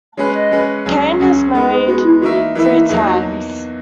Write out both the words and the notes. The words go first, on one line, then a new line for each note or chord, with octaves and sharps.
Cain has married three times.
G#3 C#4 G#4 B4 C#5
D#5
G#3 C#4 G#4 B4
C#2 C#3 F#3 C#4 G#4
C#2 C#3 F#3 C#4 G#4
G#3 B3 D#4 A#4
G#4
G#3 B3 D#4 F#4
E4
E3 A#3 D#4 F#4 A#4 E5
E3 A#3 D#4 E4 A#4 E5
E4
E2 B2 F#3 A#3 D#4 G#4
F#4